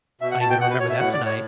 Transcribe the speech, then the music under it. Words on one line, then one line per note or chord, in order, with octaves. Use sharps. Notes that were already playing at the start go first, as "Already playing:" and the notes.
I ain't gonna remember that tonight."
B2 E5
F#5
B2 A5
G5
B2 F#5
B4
B2 C#5
E5
A2 F#5
D5
A2
C#5